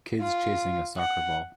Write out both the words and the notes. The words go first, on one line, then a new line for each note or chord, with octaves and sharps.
Kids chasing a soccer ball.
F4
F#5